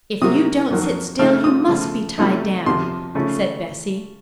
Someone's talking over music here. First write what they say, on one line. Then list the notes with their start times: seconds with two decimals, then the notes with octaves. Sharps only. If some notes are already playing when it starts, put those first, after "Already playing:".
"If you don't sit still, you must be tied down," said Bessie.
0.22 C3 F#3 A#3 D#6
0.70 F2 D#3 F#3 A#3
1.19 C#3 A3 D#4 F6
1.44 D#6
1.68 C#3 F3 A3
2.18 C3 F#3 A3 D#4
2.66 F2 C3 F3 C6
3.15 C#3 A3 C#4